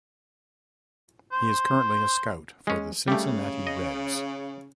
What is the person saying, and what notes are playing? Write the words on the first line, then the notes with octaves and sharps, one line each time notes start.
He is currently a scout for the Cincinnati Reds.
C5
G#3 C#4
C#3 G3 A3
D#5